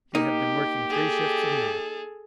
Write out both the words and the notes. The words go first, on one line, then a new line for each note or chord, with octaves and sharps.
He had been working three shifts of men.
A#3 D#4 G4
G#4 A4